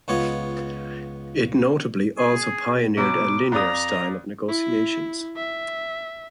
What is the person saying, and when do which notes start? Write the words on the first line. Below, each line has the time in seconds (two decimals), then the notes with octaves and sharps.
It notably also pioneered a "linear" style of negotiations.
0.08 C#2 B3 F4 C#5 D#5
2.18 G#4
2.97 B2 F#3 D6
3.52 F2 D5 A#5 D#6
4.48 E4
5.37 E5